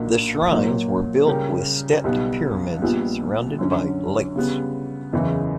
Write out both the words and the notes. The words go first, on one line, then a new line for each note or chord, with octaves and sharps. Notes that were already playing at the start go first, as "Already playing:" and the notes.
The shrines were built with stepped pyramids surrounded by lakes.
Already playing: B1 A#2 A#3 D4 F#4
A#2 F#3 A#3
C#3 G3 C#4 G4 A#4
B1 B2 G3 B3
A#1 A#2 G3 B3
F#2 D3 F#3 C#4
C#3 G3 B3
F#1 E2 C#3 E3